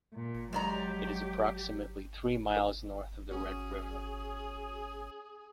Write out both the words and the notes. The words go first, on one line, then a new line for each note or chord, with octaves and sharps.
It is approximately three miles north of the Red River.
A#2
F#3 G#3 G4 D5 A#5
C#4 F#4 G#4